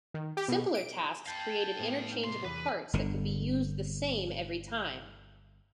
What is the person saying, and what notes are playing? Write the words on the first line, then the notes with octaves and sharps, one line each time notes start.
Simpler tasks created interchangeable parts that could be used the same every time.
D#3
G4
B2
D7
F5 G5 A5
A2 B3
C#4 D#4
C#2 C3 C6
E2 B4
G1 D3